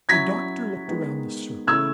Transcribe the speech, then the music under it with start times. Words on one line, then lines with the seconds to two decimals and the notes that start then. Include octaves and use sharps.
The doctor looked around the circle.
0.09 F#3 C#4 E4 G#6 B6
0.88 D#3 G#3 B3
1.67 C#3 E3 A3 C#4 E4 E6 G#6